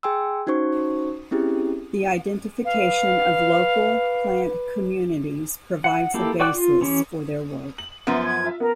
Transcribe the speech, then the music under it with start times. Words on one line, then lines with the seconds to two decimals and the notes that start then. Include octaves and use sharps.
The identification of local plant communities provides a basis for their work.
0.03 G#4 G5 G#5 C6 E6
0.47 C#4 D#4 F#4 C5 C#6
1.31 C4 C#4 E4 G4 G#4
2.65 B4 F5
5.84 F#5
6.14 A#3 E4 G4 A4
6.40 F#4 D5 G5 D6 F#6
6.53 F4
6.81 E3 C#4 G4
7.78 F#7
8.07 F#2 F3 B3
8.25 G#6
8.44 F4 E5
8.60 B3 A#4